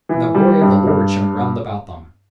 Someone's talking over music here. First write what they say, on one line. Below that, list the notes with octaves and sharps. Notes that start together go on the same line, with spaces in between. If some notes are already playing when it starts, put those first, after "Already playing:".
And the glory of the Lord shone round about them!
E3
G3
G2
G2